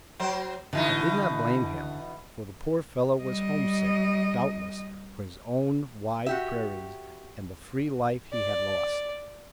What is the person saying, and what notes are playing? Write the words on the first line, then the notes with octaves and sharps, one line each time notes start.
I did not blame him, for the poor fellow was homesick, doubtless, for his own wide prairies and the free life he had lost.
F#3 C5
B2 D3 E3 D#4
G3 D#5
F#4 G4 E5
D5